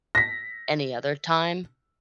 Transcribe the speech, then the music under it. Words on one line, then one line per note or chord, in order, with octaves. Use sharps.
any other time.
A#6 B6